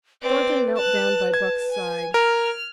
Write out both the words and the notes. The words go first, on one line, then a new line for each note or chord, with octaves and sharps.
Thornton knelt down by Buck's side.
C4 B4 D5
A5 F#6
A5 G#6
G#5
A#4 F6